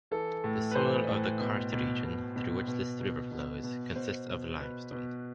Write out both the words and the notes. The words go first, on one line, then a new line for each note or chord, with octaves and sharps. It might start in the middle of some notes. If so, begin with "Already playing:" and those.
The soil of the karst region, through which this river flows consists of limestone.
E3 A4
A2
B4
E3 C5
A2
B2
B2
B2
B2
B2
B2
B2
B2
B2 C5
B2
B2 B4
B2